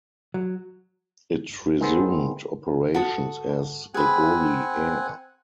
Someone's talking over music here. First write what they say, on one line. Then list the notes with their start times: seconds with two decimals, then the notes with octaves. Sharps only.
It resumed operations as Egoli Air.
0.34 F#3
1.81 D#3 G#3 B3 C4
2.94 F#4 A4 D#6
3.94 C4 G#4 B4 F#5 G#5